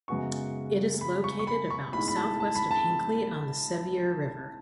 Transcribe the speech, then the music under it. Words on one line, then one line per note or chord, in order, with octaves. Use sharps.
It is located about southwest of Hinckley on the Sevier River.
F#2 C#3 G#3 B3 F#4 C#6
B5
C#6
C#6
B5
C#6
B1 A2 G#3 B5
B5
A5
A5
B5
A5